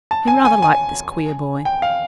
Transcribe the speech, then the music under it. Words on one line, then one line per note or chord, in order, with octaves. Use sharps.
He rather liked this queer boy.
A5
G#5
G#5
G#5
G5
F5